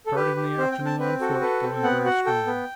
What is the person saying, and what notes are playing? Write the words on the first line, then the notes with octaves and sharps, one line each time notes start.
Started in the afternoon on foot, going very strong.
A4
G4 B4
G4
C4 C5
G5
C4
A5
C4 B4
F#4 A4
A4 B4
C4
B3 F#5
F#4 F#5
A4 G5
B3